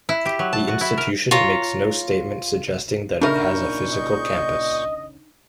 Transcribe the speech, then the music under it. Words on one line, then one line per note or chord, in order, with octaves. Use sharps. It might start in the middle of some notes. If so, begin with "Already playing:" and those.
The institution makes no statement suggesting that it has a physical campus.
E4
G4
F#3
A5
F#4
E4
A#4
F4 C#5 A#5
A#2 C#3 D4 D#4 A#4 E5 C#6 G6
D#5